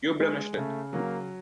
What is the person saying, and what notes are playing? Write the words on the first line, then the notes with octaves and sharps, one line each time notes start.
You blemished it.
G#3
C#3 A3
F#3 A#3